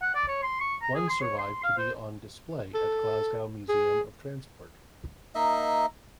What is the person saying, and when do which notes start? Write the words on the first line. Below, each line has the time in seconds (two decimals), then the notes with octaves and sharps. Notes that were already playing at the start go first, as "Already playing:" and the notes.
One survived to be on display at Glasgow Museum of Transport.
0.02 F#5
0.15 D5
0.28 C#5
0.43 C6
0.61 C#6
0.82 A#5
0.95 G#4
1.09 C6
1.22 C#5
1.39 C6
1.64 F5
1.78 C5
2.74 A4
3.69 G#4
5.35 A#3 D#4 D#5 E5